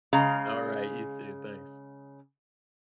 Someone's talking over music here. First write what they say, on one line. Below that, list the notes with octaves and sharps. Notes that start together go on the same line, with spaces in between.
Alright, you too. Thanks.
C#3 G#3 F5 A#5